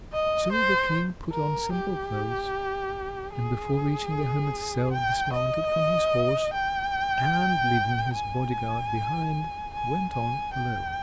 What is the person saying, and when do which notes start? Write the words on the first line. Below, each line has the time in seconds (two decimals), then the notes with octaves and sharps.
So the King put on simple clothes, and before reaching the hermit's cell dismounted from his horse, and, leaving his body-guard behind, went on alone.
0.13 D#5
0.52 C5
1.32 A#4
1.73 G4
3.33 G#4
4.92 G5
5.33 D#5
6.54 G5
8.14 G#5
9.74 G#5
10.13 G#5
10.54 G5